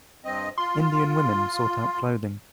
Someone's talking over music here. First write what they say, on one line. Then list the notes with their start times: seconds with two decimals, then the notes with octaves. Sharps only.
Indian women sort out clothing.
0.25 G2 C4 D#5
0.58 F4 C6